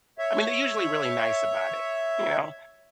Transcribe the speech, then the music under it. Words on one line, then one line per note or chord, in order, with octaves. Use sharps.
I mean, they're usually really nice about it, you know.
C#5 E5